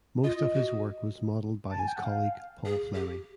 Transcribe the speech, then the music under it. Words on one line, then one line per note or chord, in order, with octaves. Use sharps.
Most of his work was modeled by his colleague Paul Fleming.
F4 D#5
F#4
A5
G#5
G5
F#5
F5
G#4
G4